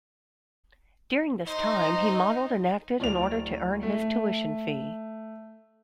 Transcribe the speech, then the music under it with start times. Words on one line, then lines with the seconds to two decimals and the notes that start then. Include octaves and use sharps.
During this time, he modelled and acted in order to earn his tuition fee.
1.47 D#4 C5 D#5
3.00 D1 D5 F7
3.83 A3